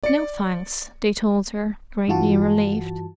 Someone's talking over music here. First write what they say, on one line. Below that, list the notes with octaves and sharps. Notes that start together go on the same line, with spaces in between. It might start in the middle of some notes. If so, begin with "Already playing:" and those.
"No, thanks," they told her, greatly relieved.
D5 C#7
G2 E3 F4 F#4 A5